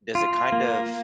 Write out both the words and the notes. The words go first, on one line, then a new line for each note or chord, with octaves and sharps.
does it kind of
F4
A#3